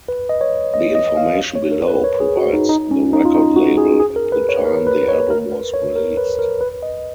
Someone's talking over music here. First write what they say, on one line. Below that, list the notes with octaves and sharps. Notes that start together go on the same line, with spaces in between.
The information below provides the record label at the time the album was released.
B4
D#5
C#5
D#5
D#5
F5
C#5
A#4
B4
C#5
G#4
F#4
D#4
D#4
C#4
D#4
F4
D#4
F#4
G#4
G#4
A#4
B4
C#5
A#4
B4
C#5
A#4
B4
C#5
A#4
B4
A#4
B4
D#5